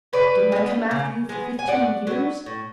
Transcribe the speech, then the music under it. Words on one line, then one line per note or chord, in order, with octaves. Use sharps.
Didn't I come after you for fifteen years?
C#3 B4 D5
G#3 B3
C#3
G#3 B3
G#5
A2 D5 F#5
F#3 B3
A2